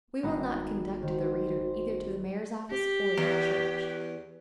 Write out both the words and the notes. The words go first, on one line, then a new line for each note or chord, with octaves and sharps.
We will not conduct the reader either to the mayor's office or to the church.
G#1 B3 A#5
D#3 F#4 C5
G4
E2